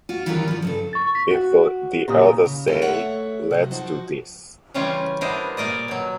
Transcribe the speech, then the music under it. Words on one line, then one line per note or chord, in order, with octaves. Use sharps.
If the others say let's do this ...
F4 F#4
D#3 E3 G3 C#4 F4 A#4
F3 F#4
G2 C#3 A4
C#6 A6
B6
F#4
A#2 C#3 G4 A#5 D#6
C#3
A#3 C#4 E4 F4 A4
A3 A4 C#5 E5 F#5
C3 F3 F#3
F3 D#4 F#4 C5
C#3 E3 G3 C#4 F4
B3 D4 E4 A#4 C5 D#5
A#2 A#3 D5 D#5
B2 F#3